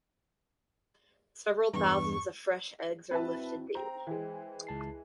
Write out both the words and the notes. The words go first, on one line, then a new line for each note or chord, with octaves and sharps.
Several thousands of fresh eggs are lifted daily.
E2 G2 C#6
C4 E4 F#4 B4 E5 A5
C5 G5 A#5
E3 G#3
C#2 A5 C7